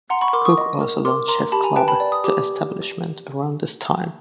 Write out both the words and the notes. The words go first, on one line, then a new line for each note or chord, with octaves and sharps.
Cook also launched his club, The Establishment, around this time.
F#5 A#5 C6
B5 C#6
A#4 C6 D6
C#6 D#6
D#5
A#4
A#4 C6 D6
A#4 A#5 C6
G4 A5 B5
G#5 A#5
B4 G5 A5
A5 B5
D5
D#6
G4 D6